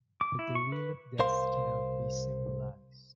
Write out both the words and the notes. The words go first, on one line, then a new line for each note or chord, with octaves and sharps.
But the real of death cannot be symbolized.
D6
E4
C#6
B4
C2 A#4 C5 F5 C6